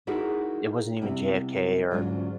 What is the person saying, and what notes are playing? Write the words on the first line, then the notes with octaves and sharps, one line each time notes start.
it wasn't even JFK or
D#4 E4 F#4 G#4 A#4
C3 G3 B3 E4
G#2 D3 F#3 C#4 F4